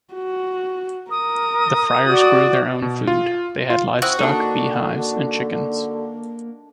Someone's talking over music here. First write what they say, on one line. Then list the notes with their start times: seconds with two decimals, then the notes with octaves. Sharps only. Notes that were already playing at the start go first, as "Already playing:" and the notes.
The friars grew their own food, they had livestock, bee hives and chickens.
0.13 F#4
1.11 A#4 D#6
2.08 F#4 D5
2.82 B2
3.07 F4
3.70 F4
4.02 C4 E4 F#4 D#6 F#6
4.19 D3 A#3 D4 D#4